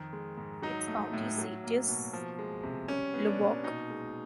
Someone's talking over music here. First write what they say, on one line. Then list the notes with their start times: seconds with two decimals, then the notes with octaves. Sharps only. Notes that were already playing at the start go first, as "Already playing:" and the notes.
Its county seat is Lubbock.
Already playing: F2 D#3
0.13 G#3
0.37 G#2
0.62 F#3 D#4
0.88 A3
1.13 A2
1.38 F#3
1.64 A#3
1.88 B2
2.13 F3
2.39 G#3
2.63 C3
2.88 G3 C#4
3.14 B3
3.26 D4
3.40 A#2
3.64 B2 D#4
3.90 G#3